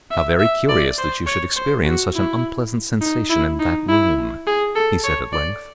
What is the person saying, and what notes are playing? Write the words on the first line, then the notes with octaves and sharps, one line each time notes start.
"How very curious that you should experience such an unpleasant sensation in that room!" he said at length.
E5
E5
D5
C5
C#5
C5
F#4
E4
D#4
E4
D#4
E4
G#4
A4
C#5
D5